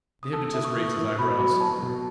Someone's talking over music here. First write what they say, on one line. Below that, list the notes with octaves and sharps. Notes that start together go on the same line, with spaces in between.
The hypnotist raised his eyebrows.
D#6
A4 E6
E4 D#6
C#6
E3
E3
B2 B5
F#3
F#3 A5
B2